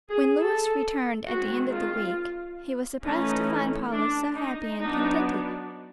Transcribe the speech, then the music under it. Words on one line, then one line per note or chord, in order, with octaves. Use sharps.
When Louis returned at the end of the week, he was surprised to find Paula so happy and contented.
G#4
A4
D#3 G#3 C4 F#4
F4
E3 A3 C#4 D#4
D4
D#4
F#3 B3 D4 D#4